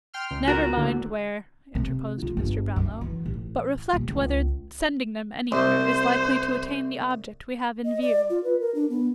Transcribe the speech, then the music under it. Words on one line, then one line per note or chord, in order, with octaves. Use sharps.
'Never mind where,' interposed Mr. Brownlow. 'But reflect whether sending them anywhere is likely to attain the object we have in view.'
G5 C6 F6
C#2
F#4 A#4
D2 A2 D3
C3
F4
G1
F#2
E3
A1
D#1
C#2
C2 C5
D#5
D5
F4
B4
A#4
D4
B3